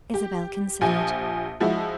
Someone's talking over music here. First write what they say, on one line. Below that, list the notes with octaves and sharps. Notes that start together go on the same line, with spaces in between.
Isabel considered.
G4
A#1 F3 G4 G#5
F3 G#3 E4 F#4